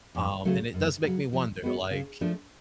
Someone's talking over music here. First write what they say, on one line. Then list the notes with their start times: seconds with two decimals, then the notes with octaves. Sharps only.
Um, and it does make me wonder, like,
0.15 F2
0.45 C#3 F#3 A3
0.74 F#2
1.04 C#3 F#3
1.33 F3
1.62 G#3 B3 F#4
1.91 C#3
2.21 F3 A3 D4